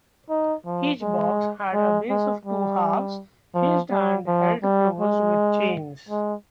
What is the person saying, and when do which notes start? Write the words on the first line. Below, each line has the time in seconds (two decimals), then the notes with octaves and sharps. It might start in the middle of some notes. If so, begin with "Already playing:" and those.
Each box had a base of two halves, hinged and held closed with chains.
0.29 D#4
0.65 F3
1.01 G#3
1.73 G#3
2.10 G#3
2.45 G3
3.54 F3
3.91 G3
4.27 F3
4.63 G3
5.00 G#3
6.09 G#3